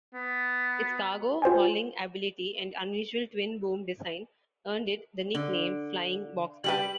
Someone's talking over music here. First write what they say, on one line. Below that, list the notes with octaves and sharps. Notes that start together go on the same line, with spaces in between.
Its cargo-hauling ability and unusual twin-boom design earned it the nickname "Flying Boxcar".
B3
F4 C5 G5 G#5
D3
G3 G4 B4 F#7